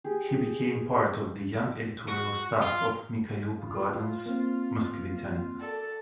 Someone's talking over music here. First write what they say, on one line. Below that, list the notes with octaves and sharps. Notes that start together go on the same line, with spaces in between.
He became part of the "young editorial staff" of Mikhail Pogodin's "Moskovityanin".
G4 G#4
F#4
F4
F4
A#3 C4
F#2 A4 D5